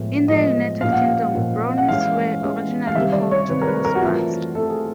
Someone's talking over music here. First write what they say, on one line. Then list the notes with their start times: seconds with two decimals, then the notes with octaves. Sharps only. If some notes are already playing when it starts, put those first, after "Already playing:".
In the United Kingdom, Brownies were originally called Rosebuds.
Already playing: A2 F3 G#3 B3
0.28 A2 F3 G#3 B3 D#5
0.81 A#2 F3 A#3 C#4 F5
0.92 F#5
1.03 F5
1.34 A#2 F3 A#3 C#4
1.78 F#5
1.88 E3 G#3 C#4 F5
2.41 E3 G#3 C#4
2.87 F5
2.95 C3 D#3 G3 C4 E5
3.13 D5
3.31 C#5
3.49 C3 D#3 G3 C4 B4
3.62 A#4
3.67 B4
3.85 A#4
3.95 F#4
4.02 E3 A3 C4 F4
4.55 E3 A3 C4 A4
4.70 G#4